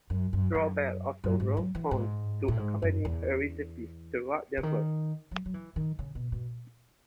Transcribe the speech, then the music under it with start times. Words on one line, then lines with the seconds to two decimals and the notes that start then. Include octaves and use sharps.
Strobel also wrote poems to accompany her recipes throughout the book.
0.10 F#2
0.33 F#2
0.55 F#2
1.24 F#2
1.40 G#2
1.57 F#3
1.75 E3
1.91 G#2
2.48 A2
2.59 G#2
2.82 F#2
3.05 E2
4.57 C#3
4.63 D#3
5.31 F#3
5.46 F#3
5.54 E3
5.76 D#3
5.99 C#3
6.15 B2
6.32 B2